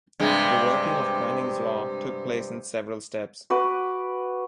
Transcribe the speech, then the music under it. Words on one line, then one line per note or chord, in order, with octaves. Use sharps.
The working of Poynings' Law took place in several steps.
G2 C3 G#3
F#4 B4 D6